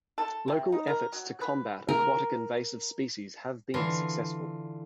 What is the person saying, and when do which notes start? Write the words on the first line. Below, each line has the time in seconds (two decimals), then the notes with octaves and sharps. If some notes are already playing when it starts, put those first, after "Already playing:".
Local efforts to combat aquatic invasive species have been successful.
0.18 A4
0.48 C3
0.72 D#4
0.87 A#4
1.12 F#3
1.41 B4
1.89 A#4
3.74 D3 E3 F4